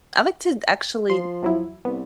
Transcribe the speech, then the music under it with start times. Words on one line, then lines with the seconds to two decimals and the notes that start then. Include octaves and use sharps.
I like to actually
1.10 F3 C6
1.42 E2 F#3 E4
1.85 C2 B3